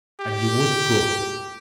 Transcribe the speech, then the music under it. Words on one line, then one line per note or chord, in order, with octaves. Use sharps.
And you won't go?
G4